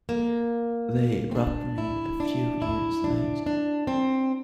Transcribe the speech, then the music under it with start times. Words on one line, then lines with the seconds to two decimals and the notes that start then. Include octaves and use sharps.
They robbed me a few years later.
0.09 A#3
1.31 C4
1.35 D4
1.78 E4
2.20 D4
2.62 E4
3.04 D4
3.46 D4
3.87 C4